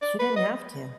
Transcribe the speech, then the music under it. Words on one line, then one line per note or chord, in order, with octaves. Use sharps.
she didn't have to.
D5
B4
D#5